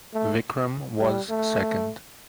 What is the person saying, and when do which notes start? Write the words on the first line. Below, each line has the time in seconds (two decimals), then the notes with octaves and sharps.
Vikram was second.
0.14 A3
1.00 G3
1.29 A3